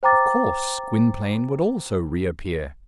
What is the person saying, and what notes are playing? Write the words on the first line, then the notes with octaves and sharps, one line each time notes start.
Of course, Gwynplaine would also reappear.
C5 G5 A#5 D6 A6